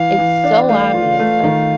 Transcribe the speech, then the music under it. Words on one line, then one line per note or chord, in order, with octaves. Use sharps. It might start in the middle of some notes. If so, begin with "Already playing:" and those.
it's so obvious, like,
Already playing: E3 F5
E3
D4
A3 F5
F4
A3
D#3